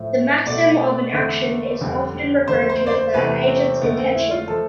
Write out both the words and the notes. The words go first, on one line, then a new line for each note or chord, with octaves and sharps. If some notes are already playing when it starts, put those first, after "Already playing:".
The maxim of an action is often referred to as the agent's intention.
Already playing: A2 F3 A3
B2 A3 D5
E2 D3 A3
F2 D3 G3
F2 D3 A3 C5
C5
D5
C5
E2 C3 E3 A3 B4
C4
F2 D3 A3 B3
C4
E4
F4
F3 A3 A4